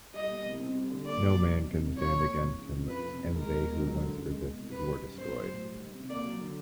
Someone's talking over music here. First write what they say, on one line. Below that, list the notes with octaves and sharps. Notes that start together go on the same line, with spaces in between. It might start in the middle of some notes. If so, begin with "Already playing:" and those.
No man can stand against him and they who once resisted, were destroyed.
G3 D#5
B2
C2
C4
G3
D3
A#3 D5
F#3
B2
D#3
C3
C2
F3 C#5
A#2
C2
E3
C#3
F2
F3 B4
C3
E2
G#3 A#4
B2
C#2
F#3
D3
F#2
G#3
B2
C2
G3 B4
D#3
F#2
B3 C5
F#3
A2
G3
D#3
C3
A#3 D5
F#3
D3